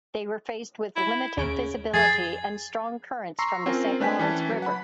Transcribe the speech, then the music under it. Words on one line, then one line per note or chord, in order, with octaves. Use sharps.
They were faced with limited visibility and strong currents from the Saint Lawrence River.
E4
D#2 C#3 D7
F2 G#4 A6 C7
A#5 C6 C#6 E6 C7
C4 C#4 F4 A#4
A3 D4 B4 G5 G#5 B6
E3 C#4 A5
F#3
F#5 B5